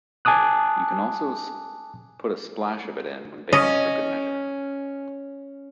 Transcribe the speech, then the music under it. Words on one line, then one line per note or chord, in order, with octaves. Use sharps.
You can also put a splash of it in when baking for good measure.
G#5 A5 D6 D#6 F#6
C#4 D#5